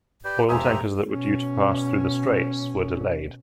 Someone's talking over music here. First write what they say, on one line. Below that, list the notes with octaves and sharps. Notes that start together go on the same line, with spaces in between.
Oil tankers that were due to pass through the straits were delayed.
G4 B4 D5 G6
E1 G4 C5 E5 G#5 A#5 D#6
B2 C#4